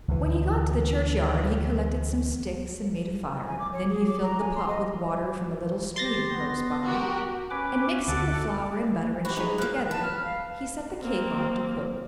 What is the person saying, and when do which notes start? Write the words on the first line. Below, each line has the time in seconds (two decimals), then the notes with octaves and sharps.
When he got to the churchyard he collected some sticks and made a fire; then he filled the pot with water from a little stream close by, and mixing the flour and butter and sugar together, he set the cake on to cook.
0.08 D2 E3
3.48 G#5
3.59 D6
3.73 C#5
3.89 G#4
4.06 D6
4.23 A#5
4.40 G#5
4.55 C6
4.68 D#5
5.96 G4 C6 A6 A#6
6.31 B3
6.85 F#4 G4 A#4
7.50 C#4 B4 D6
8.08 D2 A4 F#5 D6
9.25 F#4 G4 B5
9.36 D#4 G#4 B4
9.58 F3 A#3 F#6
9.91 B4 A5
10.03 F6
10.25 F5
11.01 A#3 C4